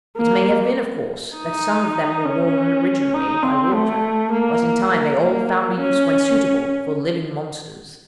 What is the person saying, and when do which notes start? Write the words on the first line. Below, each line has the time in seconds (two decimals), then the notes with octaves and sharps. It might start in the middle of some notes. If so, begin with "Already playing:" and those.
It may have been, of course, that some of them were worn originally by water; but in time they all found a use when suitable for living monsters.
0.18 A#3
1.37 D#4
2.25 C#4
3.14 D#4
3.43 C4
3.73 A3
4.32 A#3
4.92 A#3
5.21 A#3
5.80 C#4